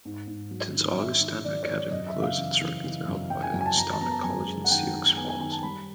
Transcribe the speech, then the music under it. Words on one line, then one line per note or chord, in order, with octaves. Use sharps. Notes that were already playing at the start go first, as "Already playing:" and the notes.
Since Augustana Academy closed, its records are held by Augustana College in Sioux Falls.
G#2
G#2
F#3
D#3
F#3 E5
D#3
F#3 D5
C#5
F#3 D5
F#2 D#5
E5
C#3
F5
E3
E3
E3
F#2
F#2 G5
G#5
F#2 G5
G#5
A5
F#2 A#5
A5
B3 A#5
A5
F#2 G#5
G#3
F#5
D#3 G5
D#3
B3 G#5
G#5
D#3 G#5
A5
G3 B5